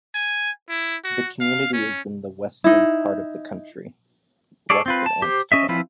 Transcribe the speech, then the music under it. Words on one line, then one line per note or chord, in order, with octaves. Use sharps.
The community is in the western part of the county, west of Amsterdam.
G#5
E4
F#4
F5
C#4
D#4 E4
G#4 A4 C#5 D5
C4 F4 B4
A5
G4 C5
C#4 D#5 E5
F3 C4 E4 F4 B4